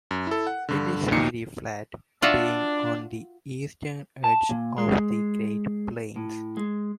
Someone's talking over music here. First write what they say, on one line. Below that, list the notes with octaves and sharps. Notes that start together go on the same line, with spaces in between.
It is very flat, being on the eastern edge of the Great Plains.
F#2
E4 A4
F#5
G2 D3
A#1 D#2 A#2 D#4 C7 C#7
D4 F4 F#4 E5
A5
A#2
G#3
A2
G#3